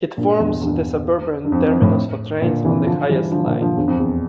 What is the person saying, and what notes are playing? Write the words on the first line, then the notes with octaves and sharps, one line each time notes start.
It forms the suburban terminus for trains on the Hayes line.
G2 A#2
E2 G2
E2 G2
G2
F2
F2
F2 A2
A#2 D3
C3 E3
D3 F3
E3 G3
D3 F3
A#2 D3
D3 F3
E2 G2
F2
E2